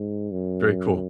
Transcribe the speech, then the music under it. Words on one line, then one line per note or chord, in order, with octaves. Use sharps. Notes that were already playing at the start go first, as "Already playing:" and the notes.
very cool.
Already playing: G#2
F#2